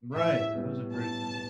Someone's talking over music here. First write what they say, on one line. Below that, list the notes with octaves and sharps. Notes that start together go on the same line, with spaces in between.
Right, that was a great example.
A2 E5
G3 B3
A2 A5
B3